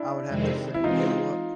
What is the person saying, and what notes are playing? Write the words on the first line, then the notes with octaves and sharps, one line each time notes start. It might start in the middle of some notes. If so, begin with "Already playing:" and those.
I would have to say, "You know what?
Already playing: D4 E4
F2 C3 D#3 G#3 C4
E4
E3 G#3 C4 D#4 F4